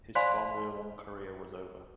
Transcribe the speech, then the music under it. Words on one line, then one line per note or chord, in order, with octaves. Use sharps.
His Formula One career was over.
C5 D5 F5 G#5 B5 C6